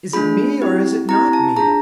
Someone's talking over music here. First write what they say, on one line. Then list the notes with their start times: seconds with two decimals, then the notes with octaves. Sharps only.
'Is it me, or is it not me?
0.13 A3 D4 F4 G#4 B5
0.61 C4 E4 G4
1.08 C4 E4 G4 A#5
1.33 A5
1.56 D4 F4 G#4 A#5